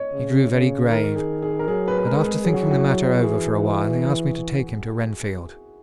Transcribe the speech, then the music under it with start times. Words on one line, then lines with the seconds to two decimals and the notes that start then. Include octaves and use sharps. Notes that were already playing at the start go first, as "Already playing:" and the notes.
He grew very grave; and, after thinking the matter over for a while asked me to take him to Renfield.
Already playing: C#5 D#5
0.13 C#3
0.51 C#3
0.90 D#3 A#4
1.15 G#4
1.42 G#4
1.59 A#4
1.68 F#3 G#4
1.88 B4
1.98 B4
2.06 G#3 A#4
2.25 G#4
2.45 F#3 G#4
2.54 F#4
2.62 E4
2.71 F#4
3.17 F#4
3.22 E3 G#4